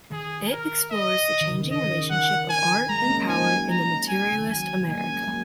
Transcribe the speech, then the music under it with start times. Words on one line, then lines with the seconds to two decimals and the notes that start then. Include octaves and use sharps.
It explores the changing relationship of art and power in a materialist America.
0.12 D#3 G#4
0.52 A#4
0.92 D#5
1.41 D#3
1.51 C#3
1.61 D#3
1.71 C#3 D#5
1.84 D#3
1.97 D#3
2.10 D#3 F#5
2.50 G#5
2.89 G#3 A#5
3.03 A#3
3.10 G#3 C#4
3.29 A#3 D#4 G#5
3.42 F#3
3.56 G#3
3.70 A#5
4.08 G#5
4.32 C#3
4.40 D#3
4.49 F#3 G#5
4.79 G#3
4.88 F#3 A#3 G#5
5.01 G#3 C#4
5.14 G#3
5.27 F#3 A#3